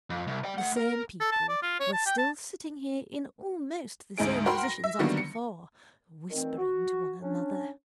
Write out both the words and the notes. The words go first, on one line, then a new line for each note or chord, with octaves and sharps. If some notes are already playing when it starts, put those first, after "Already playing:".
The same people were still sitting here in almost the same positions as before, whispering to one another.
F2
C2
D5 G5
A3 F#5
A#4
A4
A5
D5
F4
C#5
A5
G5
A5
D2 G#2 D#4 G#4 D7
F#4 A#4 G5 B5 C6
A#6
E5
D3 D#3 F#3 G3 A#3 B3
C#7
A#2 D#3 E3 A3 C4
F#4
C#4 D4